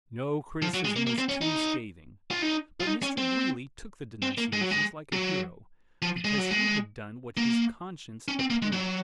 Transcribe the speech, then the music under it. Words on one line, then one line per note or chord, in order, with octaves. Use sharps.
No criticism was too scathing; but Mr. Greeley took the denunciations like a hero, because he had done what his conscience approved.
F3
F#3
G#3
A#3
A#3
C4
C#4
D#4
F4
D#4
F4
D#4
C#4
C4
C4
A#3
G#3
F#3
G#3
F#3
F3
G#3
F#3
G#3
A#3
C#4
C4
A#3
G#3
F#3